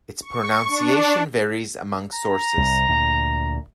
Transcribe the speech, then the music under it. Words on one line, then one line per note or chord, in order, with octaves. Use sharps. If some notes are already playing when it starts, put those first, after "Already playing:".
Its pronunciation varies among sources.
C#6
D4
A#5
C2
D2 A#2